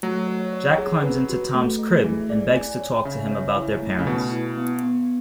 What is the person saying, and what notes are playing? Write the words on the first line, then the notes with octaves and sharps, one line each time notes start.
Jack climbs into Tom's crib and begins to talk to him about their parents.
F#3 A3
C#5
C#5
G#4
B4
F#4
A3
A3
E3 G#4
D5
G#5
C#5
C#3 E5
C#5
E4
A3
C#3
B2 B4
E4
B3
B3